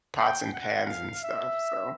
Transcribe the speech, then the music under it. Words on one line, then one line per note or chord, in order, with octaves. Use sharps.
pots and pans and stuff, so
G5
F#5
F5
E5